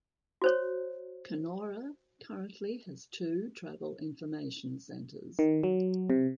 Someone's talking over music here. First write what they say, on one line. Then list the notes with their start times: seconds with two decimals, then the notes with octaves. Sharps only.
Kenora currently has two travel information centers.
0.42 F#4 C5 C#5
5.39 D#3
5.63 F#3
6.10 C3